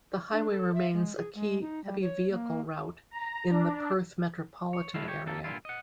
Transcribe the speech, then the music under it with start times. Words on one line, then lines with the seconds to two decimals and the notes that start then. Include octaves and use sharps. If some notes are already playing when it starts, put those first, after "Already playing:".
The highway remains a key heavy vehicle route in the Perth metropolitan area.
0.32 D4
0.50 A4
0.74 E5
0.93 G#3
1.16 G#4
1.35 G#3
1.62 D#4
1.84 G3
2.01 C#5
2.30 A#3
3.11 A#5
3.50 D4
4.73 C#5
4.94 G#3 A3 B3 D4 E4 F5
5.08 G4 C#5
5.26 F2 A#3 A4
5.44 G2 A#2 D3 E4 F4
5.65 D#5 F#5